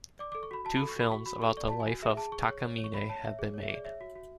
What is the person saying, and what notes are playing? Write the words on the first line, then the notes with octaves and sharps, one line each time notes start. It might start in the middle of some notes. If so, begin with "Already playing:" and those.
Two films about the life of Takamine have been made.
D5 D6
A4 D6
C#6
F#4 B5
F#4 A5
A4 B5
C#6
F#4 B5
F#4 C#6
F#4 B5
A4 C#6
D5 C#6
F#4 A5
G#5
F#4
G#4 E5
G#4 A5
G#4 C#6
C#5
C#5
C#5
C#6
C#5 B5
C#5 A5
C#5 E5
G#4
C#5
E5
G#4
D5
C#5 E5
F#4
F#4